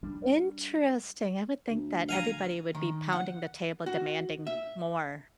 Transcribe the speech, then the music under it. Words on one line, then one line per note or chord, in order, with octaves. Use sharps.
Interesting. I would think that everybody would be pounding the table demanding more.
G3 D4
D2
F5 G#5 A#5
D#3
F#5
F#4
E5